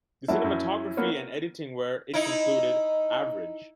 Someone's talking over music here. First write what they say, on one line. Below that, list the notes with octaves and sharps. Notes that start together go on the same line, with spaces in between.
The cinematography and editing were, it concluded, average.
F#3 A#3 E4 A5
F#2
A#3 B3 C#4
D#4 E4